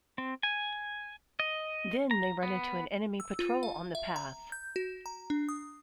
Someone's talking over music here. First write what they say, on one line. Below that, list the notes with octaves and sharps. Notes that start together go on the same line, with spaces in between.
Then they run into an enemy patrol on the path.
C4
G#5
D#5
A#5
B3
E6
F4
F5
E5
A#5
G6
F#4
A#5
D4
D#6